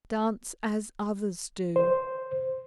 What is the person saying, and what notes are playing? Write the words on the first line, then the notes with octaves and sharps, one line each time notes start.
Dance as others do.
C5